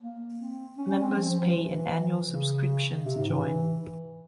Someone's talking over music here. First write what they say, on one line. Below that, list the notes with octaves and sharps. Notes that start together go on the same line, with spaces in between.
Members pay an annual subscription to join.
A#3
C4
C#4
C#4
C4
F3
F3
F3
E3
C#3
C3
G#2
E3